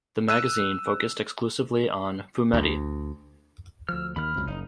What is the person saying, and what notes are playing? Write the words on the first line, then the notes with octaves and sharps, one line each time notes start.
The magazine focused exclusively on "fumetti".
E6 F#6 D#7
D2
D2 F3 E6 F6
D#2 D#3 B5 F6
C#2 F#2 C3
F#1 D#4